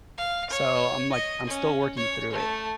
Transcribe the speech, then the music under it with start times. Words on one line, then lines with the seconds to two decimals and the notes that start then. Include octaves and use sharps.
So, I'm, like, I'm still working through it,
0.18 F5
0.50 C#5
1.12 D#5
1.47 C#4
1.97 C#5
2.32 A3